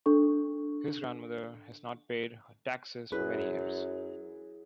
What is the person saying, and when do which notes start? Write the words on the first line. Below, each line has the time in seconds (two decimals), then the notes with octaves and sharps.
His grandmother has not paid her taxes for many years.
0.06 D4 A4 C#6
3.12 F#2 E4 G#4 B4